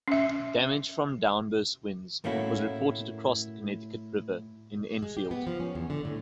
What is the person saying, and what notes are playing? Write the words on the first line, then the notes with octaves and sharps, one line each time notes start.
Damage from downburst winds was reported across the Connecticut River in Enfield.
C#4 E5
A2 A3 A#3 C#4 E4 F#4
G#3
G4
B3
F3
C#4
E2
D3
A2